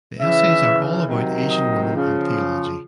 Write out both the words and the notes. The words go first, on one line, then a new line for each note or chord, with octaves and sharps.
The essays are all about Asian woman and theology.
C#3 E3 E5
C3 D#3 F#3
D#5
C#3 F3